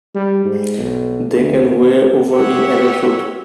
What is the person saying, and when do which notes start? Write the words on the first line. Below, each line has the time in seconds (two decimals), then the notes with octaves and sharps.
They can weigh over in adulthood.
0.15 G3
0.45 G#2
0.78 B1
1.37 D2
1.67 D#2
2.34 F#4 G4 C#5 E5 F#5 G5